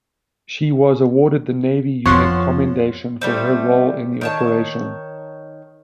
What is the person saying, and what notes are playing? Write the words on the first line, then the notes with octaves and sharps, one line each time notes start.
She was awarded the Navy Unit Commendation for her role in the operation.
F2 F3 B3 C#5 F#5 C6
G3 A3 C4
D#3 C#5 A5